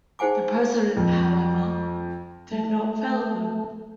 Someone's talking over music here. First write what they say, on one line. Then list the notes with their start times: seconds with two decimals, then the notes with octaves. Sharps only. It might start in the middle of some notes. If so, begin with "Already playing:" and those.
The President, however, did not fail them.
0.19 D#4 G#4 C5 F#5 G#5 D6
0.97 F2
2.52 A3